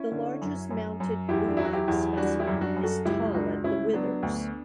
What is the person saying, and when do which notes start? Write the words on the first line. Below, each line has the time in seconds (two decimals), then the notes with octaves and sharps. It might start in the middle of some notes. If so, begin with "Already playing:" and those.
The largest mounted bluebuck specimen is tall at the withers.
Already playing: C#4 E4
0.12 D3
0.41 F#2
0.70 F#2
1.00 F#2
1.28 E2 E4 G4
1.48 D4
1.57 F#3 E4
1.65 F#4
1.73 E4 G4
1.88 E2
2.17 G3 D4 F#4
2.39 E4 G4
2.47 F#2
2.61 D4 F#4
2.76 F#2
2.83 F#4 A4
3.05 C#2 E4 G4
3.34 C#2 D4 F#4
3.64 C#2 C#4 E4
3.93 F#3 B3 D4
4.23 D2